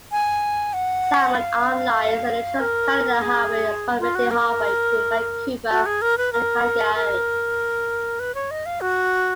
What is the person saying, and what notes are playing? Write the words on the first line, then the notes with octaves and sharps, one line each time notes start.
Salmon Arm lies on the Trans-Canada Highway approximately halfway between Vancouver and Calgary.
G#5
F#5
F5
A#4
G#4
F4
F#4
A#4
F#4
G#4
A#4
B4
A#4
A#4
B4
C#5
D#5
F5
F#4